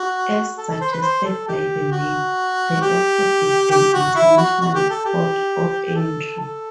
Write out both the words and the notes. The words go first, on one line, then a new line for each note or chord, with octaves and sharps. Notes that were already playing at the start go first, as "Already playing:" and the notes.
As suggested by the name, the airport is an international port of entry.
Already playing: F#4
A4
A4
C5
B4
C5
A4
G4
F#4
G4
G4
F#4
E4
F#4
F#4
G4
A4
G4
A4
A4